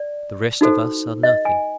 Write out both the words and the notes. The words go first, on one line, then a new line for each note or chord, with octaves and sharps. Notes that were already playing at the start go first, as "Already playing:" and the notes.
The rest of us are nothing.
Already playing: D5
D#4 F#4 A4 C5
D#5
G#5